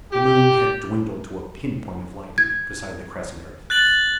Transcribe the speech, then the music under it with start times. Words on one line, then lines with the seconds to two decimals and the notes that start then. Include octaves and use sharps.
The Moon had dwindled to a pin point of light beside the crescent Earth.
0.12 G4
2.38 G#6
3.70 F#6 A6 F#7